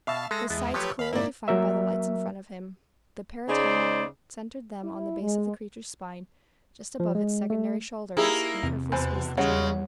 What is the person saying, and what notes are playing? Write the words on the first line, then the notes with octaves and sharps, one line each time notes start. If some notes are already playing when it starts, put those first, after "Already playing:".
His sights clearly defined by the lights in front of him, the paratimer centered them on the base of the creature's spine, just above its secondary shoulders, and carefully squeezed the trigger.
B2 E5 F5 A5
G#3 A4 A#6
E2 G#3 B3 A5
F3 F#3 A3 G4 B4 C#5
D#2 F5 B5
G#2 A#3 E4 D5
F#3 A#3 A#4 E5
C#3 D#4 G#4 C5 D5
E4
G#3
F3
G#3
A3
A#3 D#4 E4 G4 G#4
E2 C3
B2 C5 G#5 B5
C#3 G3 G#3 C#5 F#5